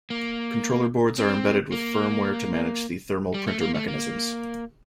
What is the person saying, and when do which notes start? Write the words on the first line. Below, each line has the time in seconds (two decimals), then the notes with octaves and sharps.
Controller boards are embedded with firmware to manage the thermal printer mechanisms.
0.10 A#3
1.18 C4
1.72 A#3
3.34 G3
3.47 A3
3.61 A#3
3.75 A3
3.88 A#3